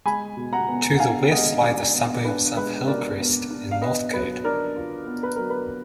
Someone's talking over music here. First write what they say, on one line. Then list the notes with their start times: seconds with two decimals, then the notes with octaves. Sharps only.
To the west lie the suburbs of Hillcrest and Northcote.
0.05 G#3 G#5 B5
0.37 B2
0.53 F#5 A#5
0.68 B3
0.95 F#5
0.99 D4 F5 G#5
1.31 G#3 D#5 F#5
1.62 B2 D5 F5
1.93 B3
2.24 D4 B4
2.57 G#3 B4
2.87 B2 A#4 D5
3.19 B3
3.51 D4
3.71 F5
3.81 B3 B4 D#5
4.13 F#3 B4
4.44 D4 A#4 D5
4.76 F4
5.07 B3
5.23 B4
5.36 F#3 A#4
5.50 B4